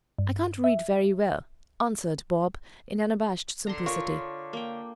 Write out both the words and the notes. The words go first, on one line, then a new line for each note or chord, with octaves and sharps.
"I can't read very well," answered Bob, in unabashed simplicity.
G2
E5
D3 A#5 C6
F4 A#4 C#5
A#3 G5